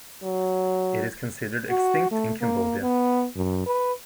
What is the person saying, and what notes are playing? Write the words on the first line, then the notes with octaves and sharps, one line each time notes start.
It is considered extinct in Cambodia.
F#3
F#4
A3
A#3
B3
F#2
B4